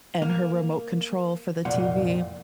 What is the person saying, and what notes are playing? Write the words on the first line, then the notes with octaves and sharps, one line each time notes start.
and her remote control for the TV.
A#3
C2 F2 A#2 F#5